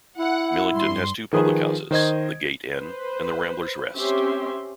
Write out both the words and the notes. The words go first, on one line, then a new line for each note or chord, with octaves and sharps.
Millington has two public houses: The Gait Inn and The Ramblers Rest.
E4 F#5
G2 C6
D#3 F3 G#4 B4 D#6
D#3 C5 D#5 G#6
B4 C5
C4 C#4 G4 E5 C6